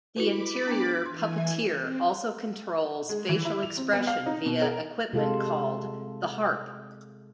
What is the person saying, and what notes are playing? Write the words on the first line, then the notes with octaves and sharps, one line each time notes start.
The interior puppeteer also controls facial expression via equipment called "the harp".
E4 F#4 B4 B5 D6
B3 D4
E3 G#5 C6
E5
C4
G#3
E3
E4
F7
C4
B3
F5
D#4
B2
A#4
C3 G#3 F4 A4